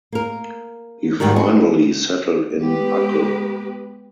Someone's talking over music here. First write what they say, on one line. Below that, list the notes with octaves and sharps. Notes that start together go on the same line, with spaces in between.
He finally settled in Uccle.
A#3 A#4
G#2 D#3 G3 F#4 A#4
F#4
G#3 B3 G4 B4